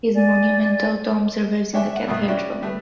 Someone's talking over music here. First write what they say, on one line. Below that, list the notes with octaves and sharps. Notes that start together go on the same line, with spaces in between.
His monumental tomb survives in the cathedral.
D5 G#5
D4 G4 C#5 E5 G#5
E5 F#5
G2 B2 D#3 A3 F#5 D#6
C#4 D4 E4 F#4 G4 D5
G3 A3 B3